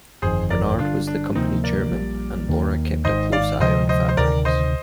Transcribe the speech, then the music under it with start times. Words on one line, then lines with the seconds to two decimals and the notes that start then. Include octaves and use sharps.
Bernard was the company chairman and Laura kept a close eye on fabrics.
0.22 G1 F2 D#3 G#4 C5
0.50 A#4 D5
0.79 G1 G2 D3 D4 F4
1.07 D4
1.35 D2 C3 F3 A#3 C4 D#4
1.64 A#4 D5
1.91 A#1 A#2 G3
2.48 D#2 D#3 A#3
3.05 G#1 G#2 D#3 C5 D#5
3.32 D5 F5
3.61 D2 C3 F3 G#3 C5 D#5
3.89 C5 D#5
4.09 C5
4.17 D2 C3 D#3 A#4 D5
4.45 C5 D#5